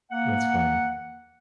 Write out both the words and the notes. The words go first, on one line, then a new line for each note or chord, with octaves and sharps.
That's funny.
A#3 F#5